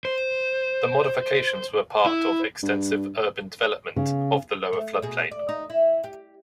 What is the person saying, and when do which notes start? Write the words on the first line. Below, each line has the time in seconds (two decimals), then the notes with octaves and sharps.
The modifications were part of extensive urban development of the lower floodplain.
0.05 C5
2.06 E4
2.63 G2
3.96 C#3
4.73 A3
5.02 B2 G#4
5.31 D5
5.49 D#4
5.70 E4
6.04 G4